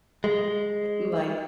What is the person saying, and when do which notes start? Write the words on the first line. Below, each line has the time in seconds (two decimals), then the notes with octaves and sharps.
i like
0.24 G#3